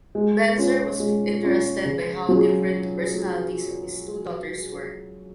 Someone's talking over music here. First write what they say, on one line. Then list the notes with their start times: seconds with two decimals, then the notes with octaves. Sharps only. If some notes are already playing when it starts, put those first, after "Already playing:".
Benzer was interested by how different the personalities of his two daughters were.
0.15 G#3
0.58 C#4 F4
1.00 G#3
1.43 C#4 F4
1.85 C#3
2.29 F#3 C#4 F4 G#4